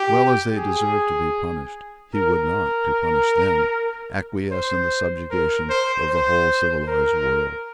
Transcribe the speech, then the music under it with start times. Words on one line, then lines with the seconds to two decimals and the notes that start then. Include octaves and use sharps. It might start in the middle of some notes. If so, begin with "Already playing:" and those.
Well as they deserved to be punished, he would not, to punish them, acquiesce in the subjugation of the whole civilised world.
Already playing: G4
0.58 G#4
2.15 A#4
4.51 C5
5.31 A#4
5.70 C5
6.10 C5
6.88 A#4